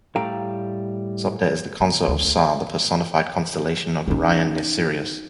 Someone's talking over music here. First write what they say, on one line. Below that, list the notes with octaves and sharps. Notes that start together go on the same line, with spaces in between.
Sopdet is the consort of Sah, the personified constellation of Orion near Sirius.
A2 G3 F5 G5 A#5
A#3
C#3
D2
A3
C#4 D#4